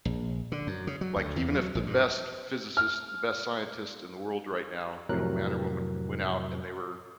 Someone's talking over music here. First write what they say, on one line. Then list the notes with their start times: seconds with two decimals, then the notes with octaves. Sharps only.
like, even if the best physicist, the best scientist in the world right now, you know, man or woman, went out and they were
0.05 A#1
0.52 D3
0.67 F#2
0.87 C#3
1.01 F#3
1.16 D2
1.36 E2
1.55 F#3
1.75 A#1
1.86 G2
2.77 F6
5.09 F2 A2 C3 F#3 A#4 F#6